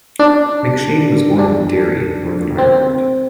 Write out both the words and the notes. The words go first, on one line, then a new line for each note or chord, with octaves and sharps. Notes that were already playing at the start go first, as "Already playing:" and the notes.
McShane was born in Derry, Northern Ireland.
D4
D4
C4